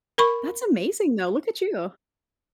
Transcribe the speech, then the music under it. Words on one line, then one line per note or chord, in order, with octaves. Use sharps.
That's amazing, though. Look at you.
A#4 B5 C#6